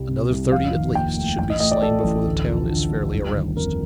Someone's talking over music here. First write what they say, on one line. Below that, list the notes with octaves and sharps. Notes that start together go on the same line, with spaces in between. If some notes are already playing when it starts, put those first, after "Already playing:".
Another thirty at least should be slain before the town is fairly aroused.
Already playing: C2 G3
C3
C2
F1 F5
D#3
D#2 G5
A3
A1 G5
D#5
A3 D#5
D5
A2 A4
A1
D2
F3
D3
D2
G1
D#3
F2 A#4